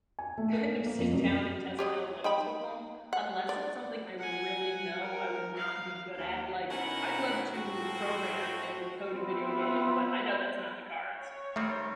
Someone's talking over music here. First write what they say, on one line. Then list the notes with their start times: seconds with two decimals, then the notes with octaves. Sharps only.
kind of sit down, and test my own limits with them, unless it's something I really know I would not be good at, like, I'd love to program, and code a video game, but I know that's not in the cards,
0.19 G#5
0.38 A3
0.53 A#4
0.66 A#3
0.86 A#3
0.98 F2
1.13 F#2
1.79 G4 C#5 D#5
2.24 D#4 G5 B5
3.13 F#5
3.49 D5
4.19 F#5 G#5
5.02 A#4
5.56 F5
6.16 D#2
6.70 B2 D#3 C#4 E4 A#4 F#5
7.54 A2 F3 C4 F#4
9.11 B3 C4 F4 B4 E5
11.18 C#5
11.56 D#3 G3 A3 C4 D#6 F6